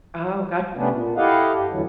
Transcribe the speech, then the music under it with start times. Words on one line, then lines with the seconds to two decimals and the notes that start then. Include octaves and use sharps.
Oh, gotcha.
0.77 C3 G3 A3 B3 C#4 D4
0.90 A#2
1.16 E4 G4 A4 D#5 F5 F#5
1.53 G2 G4
1.70 E2 A2 D3 E3 F#3